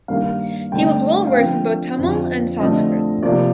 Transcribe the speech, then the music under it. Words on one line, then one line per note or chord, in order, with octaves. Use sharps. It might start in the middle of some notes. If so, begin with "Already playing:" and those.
He was well versed in both Tamil and Sanskrit.
G2 D#3 A#3 F5
G2 D3 A3 C4 G5
F5
D3 F3 C4 G5
F2 D3 F3 C4
D3 F3 A3 C4 D#5
C3 F3 A#3 D5